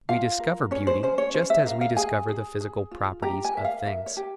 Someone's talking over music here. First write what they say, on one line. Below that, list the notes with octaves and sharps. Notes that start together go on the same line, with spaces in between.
We discover beauty just as we discover the physical properties of things.
F4 F5
A#4
C#4 C#5
C5
C#4 C5
C#5
C#4 C5
E5
A#4 F5
F5
G#4 G#5
G#4
G#4
F4
G4 A#5
G#5
A#4 E5
F5
A#4 E5
C#5
G4